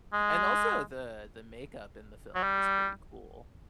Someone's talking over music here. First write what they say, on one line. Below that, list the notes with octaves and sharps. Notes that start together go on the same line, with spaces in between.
And also the the makeup in the film is pretty cool.
G#3
F#3
G3